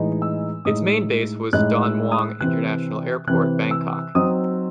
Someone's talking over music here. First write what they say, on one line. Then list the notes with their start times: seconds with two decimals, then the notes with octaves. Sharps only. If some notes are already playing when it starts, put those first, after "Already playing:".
Its main base was Don Mueang International Airport, Bangkok.
Already playing: A2 E3 G#3 D#4
0.22 E6
0.65 A2 G#3 D#4 D#6
1.53 A2 G#3 D#4 F#6
1.83 E6
2.12 D#6
2.41 C3 E3 C4 F#6
3.27 C3 E3 C4 F#6
3.71 E6
4.15 F#3 C4 D#4 D#6